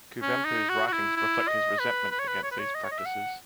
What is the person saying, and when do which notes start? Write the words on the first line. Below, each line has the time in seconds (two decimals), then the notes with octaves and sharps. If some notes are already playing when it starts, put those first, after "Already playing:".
Kuvempu's writings reflect his resentment against these practices.
0.22 C#4
0.45 D#4
0.69 F#4
0.87 F#4
0.92 E4
1.16 E4
1.48 D#5
1.79 B4
2.11 B4
2.19 C#5
2.28 B4
2.43 C#5
2.52 B4
2.59 C#5
2.75 D#5
2.84 C#5
2.92 D#5
2.99 E5
3.06 F#5